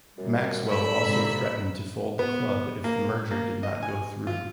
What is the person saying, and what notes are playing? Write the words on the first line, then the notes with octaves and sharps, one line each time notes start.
Maxwell also threatened to fold the club if the merger did not go through.
F#2 A#2 G3
G#2 D3 E5 B5
G#2 C3 A#3
B3
A#3
A#3
D#5
G#5
F4